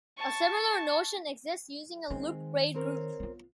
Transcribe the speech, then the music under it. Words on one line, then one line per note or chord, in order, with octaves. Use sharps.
A similar notion exists using a loop braid group.
A5 C#6
D#3 G#3 C4
C4 A#4 C#5
B3 F4